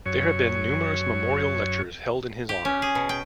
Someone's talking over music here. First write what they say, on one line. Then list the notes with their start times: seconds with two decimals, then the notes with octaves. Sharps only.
There have been numerous memorial lectures held in his honor.
0.06 F#2 C#5
2.49 G4
2.65 C#4
2.82 G#4
2.95 B2
3.09 G5